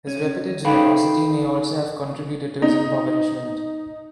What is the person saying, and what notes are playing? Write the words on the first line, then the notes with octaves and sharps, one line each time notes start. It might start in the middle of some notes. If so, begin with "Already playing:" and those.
His reputed generosity may also have contributed to his impoverishment.
C#4
D#4 A4 B4 F5 G5 B5
D#4